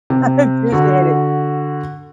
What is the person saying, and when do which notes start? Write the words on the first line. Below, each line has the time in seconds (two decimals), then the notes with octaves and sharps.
I appreciate it.
0.10 C3
0.72 D3 F#4